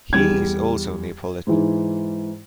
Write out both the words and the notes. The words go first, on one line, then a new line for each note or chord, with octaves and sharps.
He is also Neapolitan.
E2 G3 G#6
G#2 E3